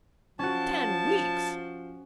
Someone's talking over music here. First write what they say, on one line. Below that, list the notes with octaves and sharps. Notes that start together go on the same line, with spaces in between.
"Ten weeks!"
F3 C#4 F#4 A5